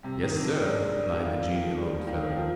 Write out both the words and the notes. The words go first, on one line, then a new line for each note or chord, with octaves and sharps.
"Yes, sir," replied the genial old fellow.
C3 G3
D#3
D4
F3
G#3 D5
G3 D5
F3
D#3 F5
F4
D#3
F3
G3 F4
F3
D#3 F5
D#3
F3 F4